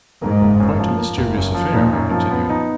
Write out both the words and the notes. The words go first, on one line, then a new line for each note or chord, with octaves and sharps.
"Quite a mysterious affair!" I continued.
G#2 A#3
F#1
F#2
F3
A#3
F#1
F#2
F3
A#2 D#4
F#2
F3
B3
D#4